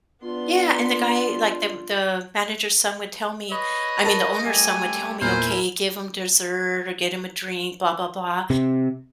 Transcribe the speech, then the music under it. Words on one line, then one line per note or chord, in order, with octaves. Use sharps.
Yeah, and the guy like, the the manager's son would tell me I mean, the owner's son would tell me, "Okay, give him dessert or get him a drink," blah blah blah,
B3 D4 F4 C6
B4 C#5 D#5
A#4 A5 A6
G3 A3 G#5
E2 A#2 E4 A#4 C5 G#5 F6
C3